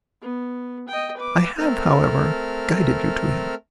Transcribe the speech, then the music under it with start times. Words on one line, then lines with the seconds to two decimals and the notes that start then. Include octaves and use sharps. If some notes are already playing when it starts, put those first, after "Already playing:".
I have, however, guided you to him.
0.22 B3
0.89 D#5 G5
1.17 B4 D6
1.57 A3 C4 A4 A#4 F6